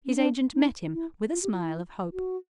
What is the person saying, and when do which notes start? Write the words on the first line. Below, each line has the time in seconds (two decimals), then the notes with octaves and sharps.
His agent met him with a smile of hope.
0.05 C#4
0.16 D4
0.54 D#4
0.93 E4
1.34 F4
1.43 G4
1.53 F4
1.63 E4
2.13 F#4